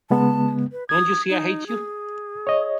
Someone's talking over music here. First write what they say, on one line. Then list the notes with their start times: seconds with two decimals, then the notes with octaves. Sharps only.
Don't you see I hate you.
0.10 C#3 G#3 B3 A5
0.72 B4
0.89 D#6 G#6
1.29 D#4
1.67 G#4
2.47 C#5 D#5